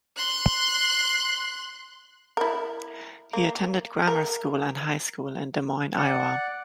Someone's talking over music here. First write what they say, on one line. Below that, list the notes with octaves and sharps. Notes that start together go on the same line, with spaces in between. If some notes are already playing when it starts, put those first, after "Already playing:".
He attended grammar school and high school in Des Moines, Iowa.
C6 F#6
E4 A#4
A#3
A#4
D5 F#5